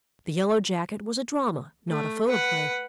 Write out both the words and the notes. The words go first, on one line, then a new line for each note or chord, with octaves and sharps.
The Yellow Jacket was a drama, not a photoplay.
A3
B4 F#5